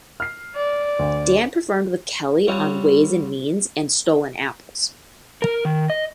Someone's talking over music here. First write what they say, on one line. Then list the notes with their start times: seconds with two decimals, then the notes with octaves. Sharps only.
Dan performed with Kelly on "Ways and Means" and "Stolen Apples".
0.20 F6 C7
0.55 D5
0.99 D2
2.47 G3 C4 F4 C#5 F#5
5.42 A#4
5.65 D#3
5.90 D#5